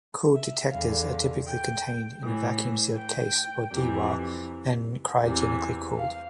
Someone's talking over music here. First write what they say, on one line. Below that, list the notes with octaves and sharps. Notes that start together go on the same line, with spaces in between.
Cooled detectors are typically contained in a vacuum-sealed case or Dewar and cryogenically cooled.
E5
E2 D3 F5
G5
A2 E3
G5
F2 C3 E3
E2 C3 E3
F5